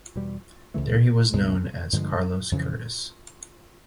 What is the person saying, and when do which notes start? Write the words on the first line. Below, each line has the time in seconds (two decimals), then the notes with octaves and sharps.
There he was known as Carlos Curtiss.
0.16 E2 B2 G3
0.74 C#2 C#3 E3 A3
1.33 C#2 B2 G#3
1.93 G2 D3 F3 G#3
2.52 F2 C#3 E3